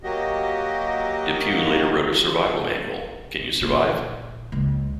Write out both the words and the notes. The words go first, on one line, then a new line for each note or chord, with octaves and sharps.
DePugh later wrote a survival manual, Can You Survive?
F#3 A#3 F#4 G4 D#5
A#2
C#2